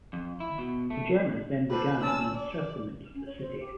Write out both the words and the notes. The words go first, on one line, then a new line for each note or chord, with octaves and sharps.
The Germans then began an encirclement of the city.
F2
E4
B2
A3
G4 A4 B4 C5
C#4 B4 A5 E6
D5
C#4
C#5
C5
G4